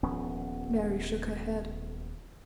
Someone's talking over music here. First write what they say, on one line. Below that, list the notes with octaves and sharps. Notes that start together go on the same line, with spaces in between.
Mary shook her head.
D#1 F3 B3 C#4